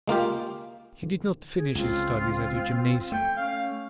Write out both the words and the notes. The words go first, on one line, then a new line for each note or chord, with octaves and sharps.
He did not finish his studies at the gymnasium.
G#3 A#3 F4 G4
G#4
C#2 C4 F4
A3 G5
C#4 F5